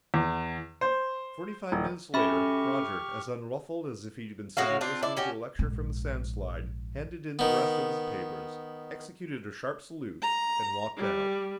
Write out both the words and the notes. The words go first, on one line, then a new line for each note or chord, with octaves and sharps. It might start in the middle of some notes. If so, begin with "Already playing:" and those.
Forty-five minutes later, Roger, as unruffled as if he had been sitting listening to a lecture from a sound slide, handed in the rest of his papers, executed a sharp salute and walked out.
E2
C5
D#1
C#4 F#4 G4 A4 E5 B5 C#6 F6
A2 F#4 C#5 F5
C4 D4 F4
E4 D5
C#4 F#4 G4
A#1 G#2
D#3 B3
A#5
G3